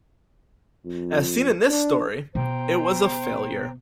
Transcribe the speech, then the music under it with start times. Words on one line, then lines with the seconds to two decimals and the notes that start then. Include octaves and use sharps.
As seen in this story, it was a failure.
0.85 F2
1.70 D4
2.35 B2 C5 G5 A#5